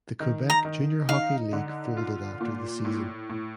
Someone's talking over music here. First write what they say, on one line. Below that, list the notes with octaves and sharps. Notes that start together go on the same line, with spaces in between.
The Quebec Junior Hockey League folded after the season.
D#3
A#5
D#3
D#4 F5
D3
F4
A#2
A2
A2